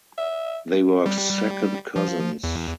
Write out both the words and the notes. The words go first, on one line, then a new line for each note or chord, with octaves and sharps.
They were second cousins.
E5
G3
G3
F3
E2